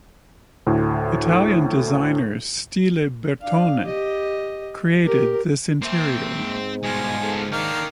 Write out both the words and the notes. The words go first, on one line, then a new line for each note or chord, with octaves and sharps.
Italian designer Stile Bertone created this interior.
D2 A2
D4 F5
G4 D#5
G4 A#4
A#3 C4 E5
G#2
G2 B2 G#3 F4 G#5
B3 A4
D#3 A#3 D4 D#4 G5 F6